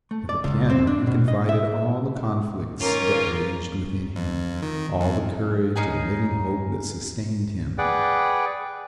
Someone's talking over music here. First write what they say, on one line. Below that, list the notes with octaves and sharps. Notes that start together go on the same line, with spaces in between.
To the piano he confided all the conflicts that raged within him, all the courage and living hope that sustained him.
A3
D5
C#2
C4
D4
B2
D#5
E5
D#3 A#3 C#4 F4 A#4
F2
D#3
F2
C#4 D#4 G#4 G#5
G#4 B4 D5 F#5 G5